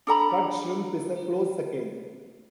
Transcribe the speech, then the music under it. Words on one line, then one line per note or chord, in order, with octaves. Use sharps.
Cut shrimp is a close second.
D4 A4 A#5 B5